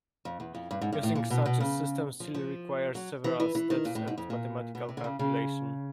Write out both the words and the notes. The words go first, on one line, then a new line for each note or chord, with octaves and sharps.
Using such a system still required several steps and mathematical calculation.
F2
E2
F2
G2
G#2
G2
A2
A#2
B2
B2
C#3
F3
F3
F#3
E3
E3
E3
D#3
A#2
A2
G#2
F2
A#2
B2
C3
D3
C#3
C#3